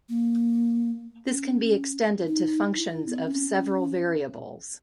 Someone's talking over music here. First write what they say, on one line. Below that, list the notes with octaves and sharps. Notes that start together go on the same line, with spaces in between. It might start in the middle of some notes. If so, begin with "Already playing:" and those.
This can be extended to functions of several variables.
A#3
C#4
D#4
E4
B3
C4
C#4